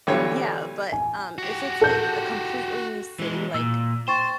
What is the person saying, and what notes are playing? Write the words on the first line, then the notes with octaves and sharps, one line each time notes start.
Yeah, but, um, if it's like a completely new city, like
B1 D3 E3 G3 C#5 C#6
G#5
F#4 G4
A4 G6
E3 G#3
A#2 E6
C5 G5 C#6 A6